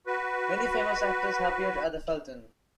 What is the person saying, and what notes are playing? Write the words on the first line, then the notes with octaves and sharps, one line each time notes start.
Many famous actors have appeared at the Fulton.
F#4 B4